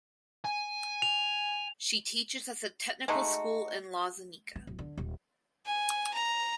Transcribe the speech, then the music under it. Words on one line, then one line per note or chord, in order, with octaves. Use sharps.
She teaches at the technical school in Loznica.
G#5
F7
G#3 A3 D#4 F#4
B3
D1
D3
D#1
G#5
A#5